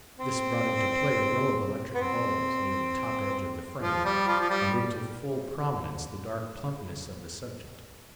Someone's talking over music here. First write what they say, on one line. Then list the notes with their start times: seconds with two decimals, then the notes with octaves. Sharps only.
This brought into play a row of electric bulbs near the top edge of the frame and into full prominence the dark plumpness of the subject.
0.19 C4
1.94 B3
2.01 C4
3.82 F3
4.05 G3
4.27 F3
4.40 F3
4.50 G3